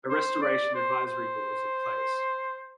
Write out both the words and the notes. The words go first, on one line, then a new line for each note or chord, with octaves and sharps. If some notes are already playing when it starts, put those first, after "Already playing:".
A Restoration Advisory Board is in place.
C5
D5
C5
C5